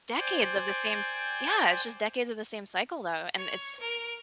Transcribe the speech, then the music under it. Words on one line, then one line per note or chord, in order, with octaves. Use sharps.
decades of the same s yeah, it's just decades of the same cycle, though, and it's
C5 D5 G5 G#5
C#5
A#4